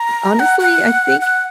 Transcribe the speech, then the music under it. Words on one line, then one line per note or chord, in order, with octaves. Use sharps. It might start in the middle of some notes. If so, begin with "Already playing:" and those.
honestly, I think
Already playing: A#5
F#5
F#5
F#5